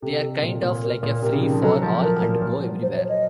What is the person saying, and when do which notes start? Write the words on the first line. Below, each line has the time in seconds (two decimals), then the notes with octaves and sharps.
They're kind of like a free-for-all and go everywhere.
0.02 C3 A4
0.42 A#2
0.63 A#2
0.83 A#4
1.03 A#2
1.22 C3 A#4
1.33 C#3
1.43 D#3
1.53 F3
1.62 F#3 A4
1.82 F3
2.02 F3 A#4
2.23 A#2
2.42 A#2
2.63 F#3
2.82 C5
2.96 C#5
3.09 D#5